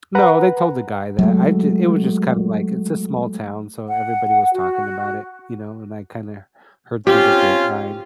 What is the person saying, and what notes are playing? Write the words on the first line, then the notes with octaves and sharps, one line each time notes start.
No, they told the guy that. I ju it was just kind of like, it's a small town, so everybody was talking about it, you know, and I kinda heard through the grapevine,
B4 F#5 A#5
F#3 G#3 A3
F#5
F#4
C4 C#4 F4 G4